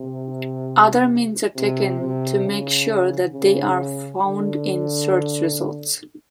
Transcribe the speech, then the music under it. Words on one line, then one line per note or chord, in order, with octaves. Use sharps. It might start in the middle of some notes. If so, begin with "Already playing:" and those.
Other means are taken to make sure that they are found in search results.
Already playing: C3
C3
C3
C#3
C#3
D3